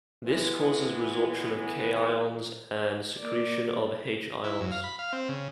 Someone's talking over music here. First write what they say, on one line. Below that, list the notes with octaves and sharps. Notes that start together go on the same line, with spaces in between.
This causes resorption of K ions and secretion of H ions.
E3 G#3 B3
A#3 D5
E4
F#2
F5
B5
F5
C4
C#3